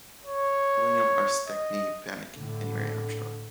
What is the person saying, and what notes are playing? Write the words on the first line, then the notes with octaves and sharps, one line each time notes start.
William Arcedeckne Vanneck and Mary Armstrong.
C#5
D#5
A2 D3